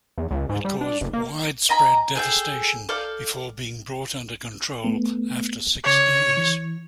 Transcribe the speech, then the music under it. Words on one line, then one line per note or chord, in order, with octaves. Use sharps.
It caused widespread devastation, before being brought under control after six days.
E2
C#2
G#2
G3
D4
F#1
A#3
D#5 G#5 A#5 B5
G#4 A4 G5
A4 D5 F5 G5
A3 B3
C#3 C#5 D6
E3